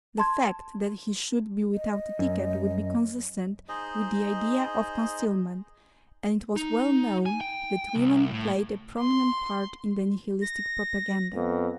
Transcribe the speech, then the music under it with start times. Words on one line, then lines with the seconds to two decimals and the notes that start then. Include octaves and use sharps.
The fact that he should be without a ticket would be consistent with the idea of concealment, and it was well known that women played a prominent part in the Nihilistic propaganda.
0.18 A5 C6 G#6
1.72 D#5
2.19 F#2
3.69 D#4 G#4 C5 D#5
6.56 D#4
7.26 G#5
7.41 G5
7.95 C2
8.31 A2
8.98 C6
10.42 A#6
11.35 F2 B3